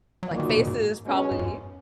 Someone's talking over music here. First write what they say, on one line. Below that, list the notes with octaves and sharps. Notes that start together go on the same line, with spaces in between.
like faces probably
F#3
A#2 E3 A#3 D#4 F#4
D#3
C#3
B2
G#2
B2 G#3 C#4
G#2
F#2